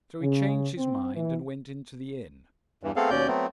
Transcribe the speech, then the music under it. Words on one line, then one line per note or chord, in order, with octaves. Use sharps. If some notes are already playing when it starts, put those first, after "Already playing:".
So he changed his mind, and went into the inn.
C#3
C4
E3
E2 G2 E3
A3 B3 C4 G#4 A4 F5
D#2 B2 C#4 D5 G6
F#3 A3 B3 C4